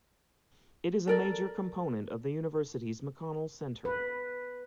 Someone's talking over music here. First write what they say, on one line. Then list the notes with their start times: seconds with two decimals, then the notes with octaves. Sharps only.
It is a major component of the university's McConnell Center.
1.07 A4 A#4 D5
3.85 B4